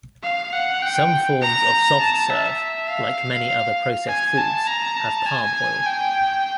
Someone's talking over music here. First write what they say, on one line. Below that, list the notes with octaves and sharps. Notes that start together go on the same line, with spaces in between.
Some forms of soft serve, like many other processed foods, have palm oil.
F5
F#5
G5
A#5
A5
E5
F5
G#5
A5
A#5
A5
G#5
G5